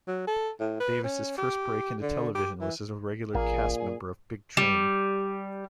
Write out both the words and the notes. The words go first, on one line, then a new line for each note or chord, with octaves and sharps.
Davis's first break into television was as a regular cast member of "Big Train".
F#3
A4
A2
B4
C#4
G4
D3
G4
E3
A1 A#2 A#3 G#4
G3